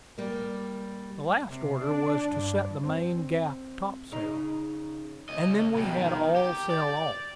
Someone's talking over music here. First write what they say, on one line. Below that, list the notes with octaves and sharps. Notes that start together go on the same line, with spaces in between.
The last order was to set the main gaff-topsail; and then we had all sail on.
G3 A#3
C3
D4
G2
C4
C#3 D#4
C#2 D#5
B2 G3
D#3
G4
D5